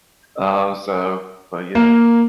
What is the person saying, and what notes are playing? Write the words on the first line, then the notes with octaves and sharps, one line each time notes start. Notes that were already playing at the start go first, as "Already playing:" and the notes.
Um, so but yeah.
A#3